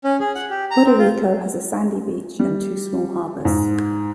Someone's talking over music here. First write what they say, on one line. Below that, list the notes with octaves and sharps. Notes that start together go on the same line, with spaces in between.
Puerto Rico has a sandy beach and two small harbours.
C#4
G#4
F#5
G4
A#5
C4
F4
G3
G#2